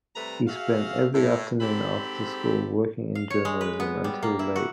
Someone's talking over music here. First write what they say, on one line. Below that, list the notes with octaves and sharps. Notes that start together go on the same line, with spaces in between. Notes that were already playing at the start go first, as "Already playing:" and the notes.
He spent every afternoon after school working in journalism until late.
C3 G3 A3 B4 A#5
F#4 G#4 E5 F5
A2
G#2 C4 G4 A4 B5
F5
C#5
G#3
B4
B3
G3
A#3
E4
F#4